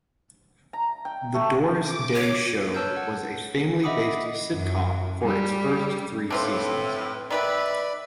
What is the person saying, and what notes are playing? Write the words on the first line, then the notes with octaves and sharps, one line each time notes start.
"The Doris Day Show" was a family-based sitcom for its first three seasons.
A#5
G5
A3
D6
C#5
B4 C#5 A5 E6 F6 G6
F#5
D#5 E5 F#5 B5 D6 D#6
F#2
G3
A2 C4 D4 F4 B4 C5
D#3 B3 B4 D5 E5 G5 B5